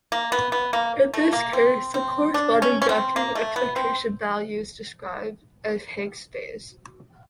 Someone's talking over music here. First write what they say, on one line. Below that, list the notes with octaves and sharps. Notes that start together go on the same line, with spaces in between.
In this case, the corresponding vacuum expectation values describe a Higgs phase.
A#3
B3
B3
A#3
A3
A#3
C4
C4
D4
C#4
C#4
C4
A#3
A3
B3
C4